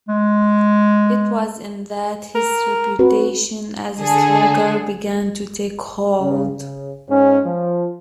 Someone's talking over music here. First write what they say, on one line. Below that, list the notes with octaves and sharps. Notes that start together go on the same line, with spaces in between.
It was in that his reputation as a slugger began to take hold.
G#3
A#4
C4 F#4 B4
D3 G#4 A4
C#3
C#3
G#2 C#4
F3